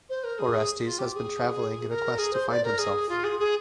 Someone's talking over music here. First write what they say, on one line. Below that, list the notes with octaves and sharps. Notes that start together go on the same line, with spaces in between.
Orestes has been traveling in a quest to find himself.
C5
A#4
G#4
F4
G4
G#4
A#4
G#4
C5
D5
A#4
G#4
F4
G#4
G#4